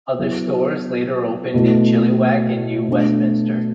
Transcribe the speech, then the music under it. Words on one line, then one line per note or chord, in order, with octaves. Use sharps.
Other stores later opened in Chilliwack and New Westminster.
F#3 B3 E4
B2 A3 E4
B2 A3 D4